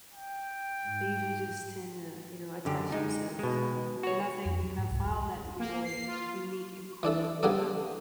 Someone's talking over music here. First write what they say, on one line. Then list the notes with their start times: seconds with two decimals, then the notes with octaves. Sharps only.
They usually just tend to, you know, attach themselves, um, and I think and I found that to be really unique and cool. What about you?
0.13 G5
0.84 G#2
2.65 F#2 D3 G4
2.92 G#3 D#4
3.39 B2 G#3
4.03 F#4 C#5
4.45 F2
4.63 F#3
4.78 G#2
4.91 C2
5.04 E1
5.59 A#3
5.84 C7
6.07 F4
7.03 E3 D4 A4 E5
7.43 C#3 G3 A#3 B3 D4 A4